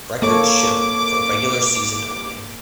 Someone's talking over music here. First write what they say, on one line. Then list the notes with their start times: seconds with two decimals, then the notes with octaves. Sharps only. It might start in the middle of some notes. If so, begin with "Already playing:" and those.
Records shown for regular season only.
0.22 A#3 A4 C#5 D6